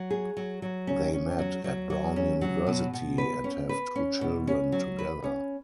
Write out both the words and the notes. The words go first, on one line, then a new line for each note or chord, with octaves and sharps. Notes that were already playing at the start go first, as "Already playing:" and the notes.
They met at Brown University and have two children together.
Already playing: F#3
G#4
F#3
F#3
C#4
C#4
F#3
F#3
F#3
C#4
F#3
B2
B2
B4
C#4
B4
C#4
B2
C#4
F#3
B4
C#4